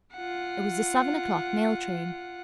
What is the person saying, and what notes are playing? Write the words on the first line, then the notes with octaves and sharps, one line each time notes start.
It was the seven o'clock mail train.
F4 F#5